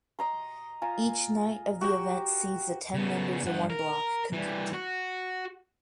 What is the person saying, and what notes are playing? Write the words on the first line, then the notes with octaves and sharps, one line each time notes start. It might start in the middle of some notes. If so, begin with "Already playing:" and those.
Each night of the event sees the ten members of one block compete.
D#5 A#5 C6
F4 G#5 A#5
F#4 G4 G5
C#3 B3
G2 F#5
A#4
E3 G3
F#4